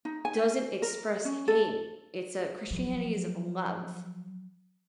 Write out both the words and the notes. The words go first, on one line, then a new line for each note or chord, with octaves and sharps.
doesn't express hate. It's a Christianity is of love.
D#4
G#5
A#4
C#4
A4
F3 F#3